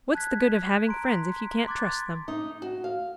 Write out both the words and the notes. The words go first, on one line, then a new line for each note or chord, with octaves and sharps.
What's the good of having friends if you can't trust them?
A5 F#6 G#6 B6
A#5 C6 D7
B6
C6 D6 F#6 G#6 A6
D#4
F#4
F5